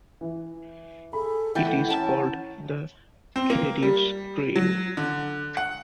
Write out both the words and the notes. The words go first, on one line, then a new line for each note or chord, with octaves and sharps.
It is called the Khedive's Train.
E3
G#4 A4 B5
B2 E3 A3 B4 F#5 G5 G6 A6
C#4 A#4 C#5 E5 A5
C4
A#3
G3
F#3
D3
F#5